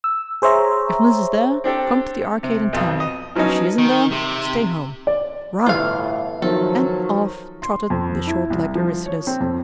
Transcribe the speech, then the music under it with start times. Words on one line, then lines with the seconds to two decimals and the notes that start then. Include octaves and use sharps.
"If Mliss is there, come to the Arcade and tell me. If she isn't there, stay home; run!" And off trotted the short-legged Aristides.
0.04 E6
0.42 G#4 C5 C#5 E5 A#5
1.64 C4 D4 G4 A4
2.43 C3
2.73 B1 F2
3.00 D#5
3.35 F3 F#3 B3 C#4 D#4
3.78 D#3
4.12 C3
5.07 D5
5.66 G1 A2 E3 F4 F5
6.42 D#3 F3 F#3 A4
7.62 C6
7.90 F2
8.27 E4
8.50 C2
8.75 F3
9.06 C#5
9.27 C4
9.40 F2